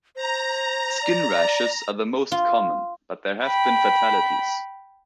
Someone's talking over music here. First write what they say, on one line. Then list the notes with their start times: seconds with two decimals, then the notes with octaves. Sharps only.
Skin rashes are the most common, but there have been fatalities.
0.16 C5 A#5
1.02 D5
1.34 D5
2.32 F4
3.44 G5 B5